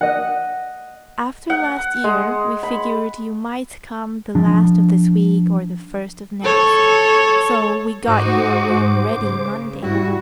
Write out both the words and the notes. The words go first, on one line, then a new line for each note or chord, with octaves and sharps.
"After last year, we figured you might come the last of this week or the first of next, so we got your room ready Monday."
D#5 F#5
F#5
G#3
B5
F3 D4
A4 C#5
G#2 D#4 F#4 C5 D#5 D6
C#3
G#2 G3 E4 F#4